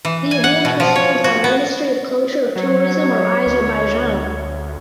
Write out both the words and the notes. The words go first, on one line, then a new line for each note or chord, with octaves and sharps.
The event was held by Ministry of Culture of Tourism of Azerbaijan.
E3
G#5
F#5
B2
F3
C#5
F#4
B3
F#3 C#5
D2